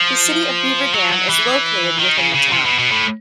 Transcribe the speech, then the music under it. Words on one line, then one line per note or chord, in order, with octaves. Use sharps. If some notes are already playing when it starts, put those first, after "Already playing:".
The City of Beaver Dam is located within the town.
Already playing: F3
F#3
F#3
E3
D#3
C#3
C#3
C3
B2
B2
A2